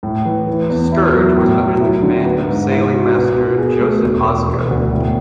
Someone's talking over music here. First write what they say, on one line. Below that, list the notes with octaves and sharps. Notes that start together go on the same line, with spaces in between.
"Scourge" was under the command of Sailing Master Joseph Osgood.
A2
E3
E3
E2
E4
F#3
A2
F#3
E4
D3
B3
G#2
E4
B2
B3
B2
G#4
A3
E1
E2
E1
D2
A2